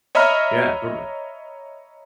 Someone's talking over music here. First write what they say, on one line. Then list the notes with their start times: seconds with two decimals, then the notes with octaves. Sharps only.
Yeah, totally.
0.15 C#5 D#5 E5 A#5 B5 F6